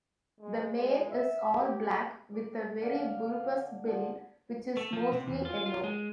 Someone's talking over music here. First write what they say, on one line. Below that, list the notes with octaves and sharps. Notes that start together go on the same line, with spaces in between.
The male is all black with a very bulbous bill which is mostly yellow.
G#3
G#3
E5
G4
D5
G4
D3 F5
D3 F3
A3
F3
C3
E2
F4
F4
G#3